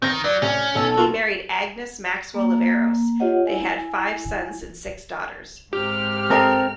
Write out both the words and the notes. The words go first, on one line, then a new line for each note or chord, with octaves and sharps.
He married Agnes Maxwell of Aros; they had five sons and six daughters.
D#3 C4 G6 A#6
F#3 D5
A2 C3 C#4
B1 B2 A4
F4 F#4
A#3
F4 G4 C#5 D#5 F#5
E4 G#5
G#2 C3 G4 F6
C4 A4 A#4 D#5